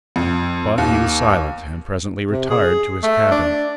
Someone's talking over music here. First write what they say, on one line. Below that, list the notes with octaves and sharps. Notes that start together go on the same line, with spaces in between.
But he was silent and presently retired to his cabin.
F2
D#2
C3
G#4
A3
D4